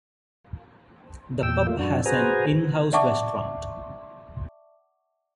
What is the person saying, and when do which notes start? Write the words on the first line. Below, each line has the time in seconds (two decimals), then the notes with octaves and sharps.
The pub has an in-house restaurant.
1.43 E2 A#2 G5 E6
1.67 A3 A#3 F4
1.79 F#2 D4 F#4
2.06 F#4 G#4 B4 C5 G#5 A#5
2.93 D5 E5 F#5 A5 C#6 D6